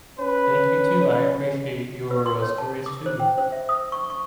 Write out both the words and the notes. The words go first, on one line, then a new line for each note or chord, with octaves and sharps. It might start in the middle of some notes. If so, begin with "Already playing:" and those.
Thank you too. I appreciate your, uh, stories too.
C#4 B4
B4
C6
C#5
A5
D6
C5
G5
C5
E5
D#6
C#6
C#6